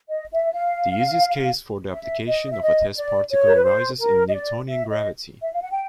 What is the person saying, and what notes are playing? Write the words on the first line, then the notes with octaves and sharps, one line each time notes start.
The easiest case for the application of a test particle arises in Newtonian gravity.
D#5
E5
F5
E5
D#5
E5
D#5
D5
C#5
A#4
B4
C5
A#4
D#5
D5
E5
D#5
E5
F5
F#5
G5